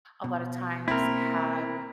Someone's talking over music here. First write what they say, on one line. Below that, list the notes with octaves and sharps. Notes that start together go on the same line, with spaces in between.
a lotta times, have
B2
A#3 C4 E4 A#4